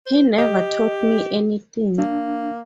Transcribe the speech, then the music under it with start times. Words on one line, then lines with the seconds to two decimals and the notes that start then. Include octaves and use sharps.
He never taught me anything.
0.06 C5
0.38 G4 D#5
1.98 A#3 D4